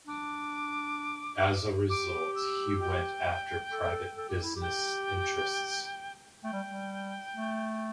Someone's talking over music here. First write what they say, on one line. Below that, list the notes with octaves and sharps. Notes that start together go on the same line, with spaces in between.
As a result, he went after private business interests.
D4 D6
G4 D6
E6
G5
A4
A4
G4
E4
G4
G5
A3 G5
G3
G3
A3